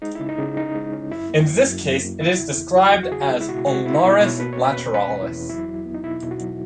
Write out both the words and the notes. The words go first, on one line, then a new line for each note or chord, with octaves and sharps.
In this case it is described as "ulnaris lateralis".
G#3 D#4
C#3 E4
D#4
C#3
C#4 D#4
G#3
C#4
F#2 E4
A#3
F#2
F#2
F#2
A#3
C#3 E4
E2
E2
F#3 F#4
E2
F#4
C#3 G#4
F#4
G#3 E4
E4
B2 F#4
G#3 F#4
B3 E4
D#4
E4
B2
B2 C#5
A#3 B4
C#5
C#4
B4
E2
C#4 B4
E2
E4
E2
F#3 E4
F#3
B3
D#4
B2 E4
B2
F#4
F#3